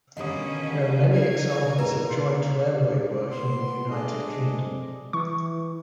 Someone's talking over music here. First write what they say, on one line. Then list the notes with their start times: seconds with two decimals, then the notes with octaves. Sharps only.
There are many examples of joint railway working in the United Kingdom.
0.17 B2 D3 D#3 G3 A#3 C#4 D#5 D#6
1.11 D#4 G#6
1.79 E2 G#2 A#4 B4
2.74 C#3
3.31 B3 C6
3.90 G#3 A3 D4 D#5
4.46 C4
5.13 E3 C#6